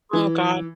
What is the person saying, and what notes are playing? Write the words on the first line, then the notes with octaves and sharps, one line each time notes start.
Oh god.
E3